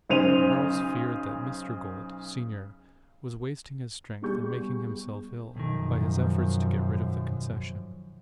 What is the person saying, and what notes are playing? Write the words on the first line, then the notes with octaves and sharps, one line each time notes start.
Charles feared that Mr. Gould, senior, was wasting his strength and making himself ill by his efforts to get rid of the Concession.
B1 C#3 C5 D#7 F7
B2 G3 G#4 C#6 G6
B1 F#2 D#3 F3